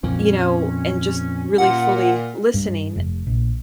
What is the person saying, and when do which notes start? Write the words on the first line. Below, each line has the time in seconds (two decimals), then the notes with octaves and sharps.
you know, and just really fully listening
0.03 F2 A#2 F3 C#4
1.58 A#2 F#5
2.54 G2
2.96 F1
3.27 A#1